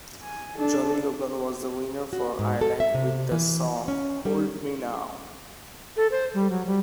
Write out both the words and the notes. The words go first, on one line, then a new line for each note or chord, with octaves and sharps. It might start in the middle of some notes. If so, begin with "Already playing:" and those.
Johnny Logan was the winner for Ireland with the song "Hold Me Now".
G#5
D4 A4
F#4
G#2
A4
E5
C3
E3
C#4
G3
A4
C5
G3
F#3
G3